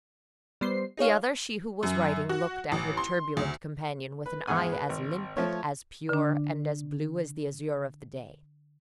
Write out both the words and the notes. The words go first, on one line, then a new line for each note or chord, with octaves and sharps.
The other, she who was writing, looked at her turbulent companion with an eye as limpid, as pure, and as blue as the azure of the day.
G3 B3 C5 C7
D#4 G#4 C#5 F5
F#2
F#4
A1
C6
D2
B4
E2 G#2 G#4 F#5 G#5
B4
G#1
F3 A3 C#5
D3 D4